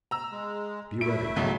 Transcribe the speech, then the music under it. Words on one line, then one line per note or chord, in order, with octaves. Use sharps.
Be ready.
A#5 E6
G#3
A3 E4 E5 D7
B1 C#3 F#3